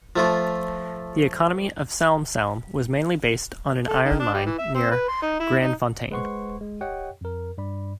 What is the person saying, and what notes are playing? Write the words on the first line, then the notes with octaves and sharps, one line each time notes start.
The economy of Salm-Salm was mainly based on an iron mine near Grandfontaine.
F3 A3 F4
A4
D#3
D4
G3
E3
E5
C4
B4
C6
D#4
E4
D#4
G#3 B4 C5 F#5 C6 C#6
G#3
G4 C#5 D#5 F#5 G5
F2 A#4
G2 D5 B5